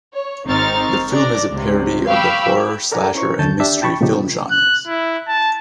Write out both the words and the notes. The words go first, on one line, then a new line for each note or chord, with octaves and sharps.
The film is a parody of the horror, slasher, and mystery film genres.
C#5
G#1 C4 D#4 C#6 F6 A6
D4 D5 A#6
C#2 C3
F5 G5 B5 C#6 D6 E6
A4 A#4 D5 F#5 G#5 A#5
C#4 E4 C5 C#6
D#2 D3 A5 G6
D4 G4 E5
G5 A5 B5 C#6
A#2 C#3 F3 G3 D#4 G4
F#6
E4
A5